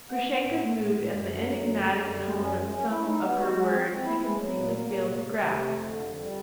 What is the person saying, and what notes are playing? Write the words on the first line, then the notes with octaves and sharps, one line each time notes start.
Grushenka's mood and the enigmatic tone of some of her words he completely failed to grasp.
B3
B3
A2
A3
A2
A2
F#2
D3
F#3
F#2
D3
F#2
G3
F#2
C#4
G#3
C#4
E4
D#4
B3
F#4
G#3
C4
C4
E4
G#3
F#3
A#2
A#3
A#2
C3
C3
C3
A3
F2
D3
F2
G3